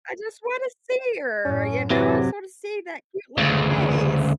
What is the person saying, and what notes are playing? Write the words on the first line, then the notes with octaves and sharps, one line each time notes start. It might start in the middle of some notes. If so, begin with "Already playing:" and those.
I just wanna see her, you know, I just wanna see that cute little face.
F#2 A2 C#4
C3 E3 F#3
D2 C#3